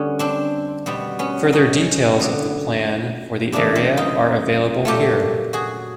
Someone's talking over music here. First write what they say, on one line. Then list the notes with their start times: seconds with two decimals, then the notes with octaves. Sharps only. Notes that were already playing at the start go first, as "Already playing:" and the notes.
Further details of the plan for the area are available here.
Already playing: D3 G3 B3 C#4
0.19 C4 D4
0.86 B2 G3 B3 C4
1.19 B3 C#4
1.53 C#4 D#4
2.20 D3 F#3 B3
3.52 C#3 E3 G3 A#3 C4 D4
3.75 C4
3.97 D#4 F4
4.85 A#2 F#3 A3 F4 G4
5.53 F#4 G#4